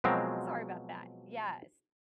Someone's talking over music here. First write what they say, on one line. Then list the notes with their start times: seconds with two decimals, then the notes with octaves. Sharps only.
sorry about that, yes.
0.04 B2 F3 F#3 G#3 C4 A#4